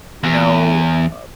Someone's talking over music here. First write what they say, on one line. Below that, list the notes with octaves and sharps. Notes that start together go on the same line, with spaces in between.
you know, uh,
E2